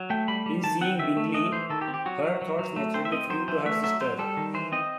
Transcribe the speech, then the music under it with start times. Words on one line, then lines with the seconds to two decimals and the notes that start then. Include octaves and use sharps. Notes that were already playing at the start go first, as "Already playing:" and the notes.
In seeing Bingley, her thoughts naturally flew to her sister.
Already playing: F#3
0.10 A3 G5
0.28 G3 B5
0.46 G3
0.63 D#3 A5
0.81 C4 F#5
0.99 D#3 E5
1.17 A3
1.34 E3 D#5
1.52 E3 C5
1.70 D#3 A4
1.81 G4
1.88 C4
1.94 G4
2.06 F#3 F#4
2.24 F#3
2.42 F#3
2.59 F#3
2.76 A3
2.94 C4 C5
3.05 E5
3.12 C4 D#5
3.30 F#3 C5
3.48 E3 C5
3.66 A3 E5
3.83 F#3 E5
4.01 F#3 C5
4.19 G3 A4
4.37 D#3
4.54 E3 C5
4.72 C4 D#5